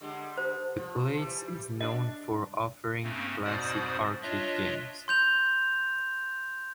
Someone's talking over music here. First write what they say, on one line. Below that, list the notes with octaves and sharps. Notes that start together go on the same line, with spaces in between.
The place is known for offering classic arcade games.
D3 G3 G#3
C5
F3
E3 G3
D4 D#5
G2 C#3 A3 A#3 C4 C#4
F2 G#2 B2 C5 D5 D#6
D4 F4 C#5 D#5 E5
C6 G6 F7